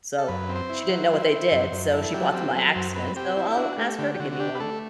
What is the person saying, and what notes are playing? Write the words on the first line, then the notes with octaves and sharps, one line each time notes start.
so, she didn't know what they did, so she bought them by accident. So I'll ask her to give me one.
A4
F#2 B4
C4
C5
E4
C5
F#3
E4
E4
F#2
F#2
E4 A4
F#3 G4
A4
C4 G4
F#3 A4
F#2 C5
C4 B4
C4 G4
E4 G4
G4
D4 F#4
A3 G4
D3 G4
G4
D3 F#4
F#4
D4 G4
B4
A3 A4